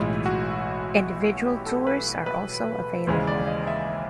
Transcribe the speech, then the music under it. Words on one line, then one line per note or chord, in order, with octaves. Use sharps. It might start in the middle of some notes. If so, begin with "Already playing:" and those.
Individual tours are also available.
Already playing: B1 A2 E3 G#3 F4
F#4
G4
A4
B4
B4
D#2 C#3 E3 G#3 C5
D5
D#5
E5
E5